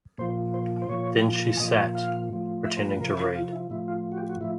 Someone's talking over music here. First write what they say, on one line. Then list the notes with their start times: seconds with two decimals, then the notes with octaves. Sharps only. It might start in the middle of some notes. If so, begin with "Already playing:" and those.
Then she sat, pretending to read.
0.18 A#2 F3 C5
0.54 C5
0.82 C5
0.89 A#2 F3 C#5
1.60 A#2 D#5
1.62 F3
1.95 F5
2.30 A2 F3
2.65 E5
2.77 C5
2.89 B4
3.00 C3 F3 A#4
3.11 E4
3.24 F4
3.35 F4
3.53 E4
3.70 A2 F3 E4
3.88 F4
4.12 F#4
4.18 G4
4.29 F#4
4.40 A2 F3 E4